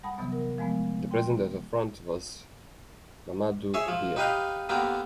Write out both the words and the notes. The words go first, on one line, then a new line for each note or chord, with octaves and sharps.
The president of the front was Mamadou Dia.
G3 F#5 A5 B5 D#6
C3 E3 F#3 B3
A#4
F3 G#3 A3 B3
G5 C6
G#4 C#5 E5
F3
D#4 G4 B4 D#5 F5
D3 A#3 B3 G4 A#4